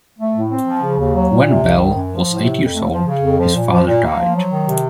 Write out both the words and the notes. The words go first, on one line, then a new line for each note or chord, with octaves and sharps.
When Bell was eight years old, his father died.
A3
A2
C4
F3
C#3
D#2
F#3
A#2
C3
C2
D#3
F#2
F3
A2
C3
F2
A3
F3
C#3
F2
F3
A#2
F3
A#2
A#3
F3
F#3
D#3
C3